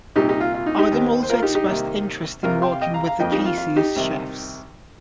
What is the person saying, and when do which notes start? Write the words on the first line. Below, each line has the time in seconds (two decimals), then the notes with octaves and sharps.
Adam also expressed interest in working with The Kaiser Chiefs.
0.16 C2 A#2 A#3 D#4 G4
0.29 D#4 G4
0.41 F4
0.54 F4
0.66 D#4
0.79 D#4 G4
0.91 D#2 D#3 C4
1.23 C5
1.30 F4 A#4
1.42 D#4 G4
1.55 D#4 G4
1.68 C2 C3 D#3 A#3
2.43 C2 C3 G3 F4 A#4
2.62 G5 C6
2.72 F5
2.81 D#5 G5
2.94 F5 A#5
3.07 F5 A#5
3.20 F2 F3 A#3 D#5 G5
3.32 D#4 G4
3.45 F4
3.58 F4
3.76 D#4 G4
3.96 C2 C3 D#3